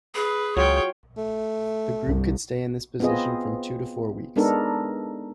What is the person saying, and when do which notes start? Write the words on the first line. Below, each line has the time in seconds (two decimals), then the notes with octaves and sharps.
The group could stay in this position from two to four weeks.
0.15 G#4 B4
0.57 C#2 F#3 F4 C#5 F5 G5
1.17 A3
2.06 C2 G2
3.00 B3 C4 F4 G#4 D#5
4.36 G#3 B3 D4 D#4 A4 A#4